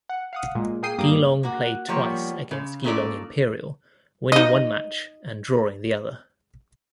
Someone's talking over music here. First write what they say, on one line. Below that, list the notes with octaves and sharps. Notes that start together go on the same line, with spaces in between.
Geelong played twice against Geelong Imperial winning one match and drawing the other.
F#5
F5 F#5 D#6
A#2 G#3
A#3 G#4 G5 D#6 C7 D#7
G2 G3 A#3 D6 D#6
A#3 F#4
F3 G3 A#3 B3 C#5
C#3
A#2 C#4 D#4 A4 D5
D#4 D#5